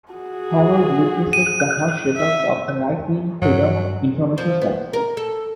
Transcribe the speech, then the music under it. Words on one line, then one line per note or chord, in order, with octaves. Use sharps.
Howard witnesses the harsh results of the right-wing Freedom Information Services.
F#4 G#4
D#7
E5
G2 F#3
F3
B3
A#4
A4